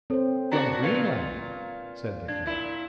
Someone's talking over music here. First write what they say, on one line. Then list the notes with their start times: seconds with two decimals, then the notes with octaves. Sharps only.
"From Greenland!" said the king.
0.10 C4 A4 C5 C#5
0.52 C#3 D4 F#4 A#5
0.83 A#2 F4 B4 G#6 C#7
2.28 D4 G#6
2.46 A#2 E4